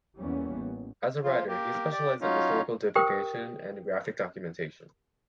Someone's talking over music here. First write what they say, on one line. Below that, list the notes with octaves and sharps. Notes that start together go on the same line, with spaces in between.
As a writer, he specialized in historical divulgation and graphic documentation.
E2 E3 G3 A#3 B3 C#4
A1
F3 F4
A#3 G4
G4 D5
F#3 C#4 D#4 F4
G4 A#4 C5 G5 D#6